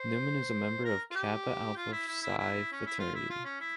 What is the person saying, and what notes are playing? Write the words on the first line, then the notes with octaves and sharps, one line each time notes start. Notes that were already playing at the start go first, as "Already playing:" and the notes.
Newman is a member of Kappa Alpha Psi fraternity.
Already playing: C5
A#4
F4
G4
F4
E4
E4
E4
E4
C#4
E4
F4
E4
F4
C#4
E4